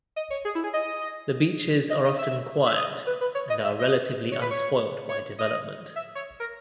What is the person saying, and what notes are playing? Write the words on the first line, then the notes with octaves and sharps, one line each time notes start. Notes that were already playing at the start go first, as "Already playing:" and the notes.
The beaches are often quiet and are relatively unspoilt by development.
D#5
C#5
G#4
E4
G#4
D#5
D#5
D#5
E5
E5
D#5
B4
B4
C#5
D#5
E5
D#5
C#5
B4
C#5
C#5
D#5
E5
C#5
A#4